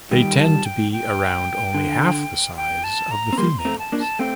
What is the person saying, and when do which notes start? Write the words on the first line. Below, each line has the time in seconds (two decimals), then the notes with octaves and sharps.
They tend to be around only half the size of the females.
0.11 D#3 G3 G5
0.38 A5
0.65 G5
0.92 G5
1.74 D3
2.56 G5
2.84 A5
3.11 A#5
3.33 C4
3.38 G3 A#3 C6
3.59 A#5
3.65 A3 C4
3.79 A5
3.92 A#3 D4
3.99 A5
4.19 A3 C4 G5